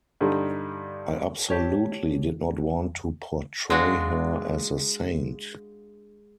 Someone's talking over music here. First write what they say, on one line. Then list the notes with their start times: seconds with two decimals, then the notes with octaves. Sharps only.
I absolutely did not want to portray her as a saint.
0.21 G2 D3 G3 D#4
1.49 G4 C#5 A5
3.70 G#3 D4 F4 F#4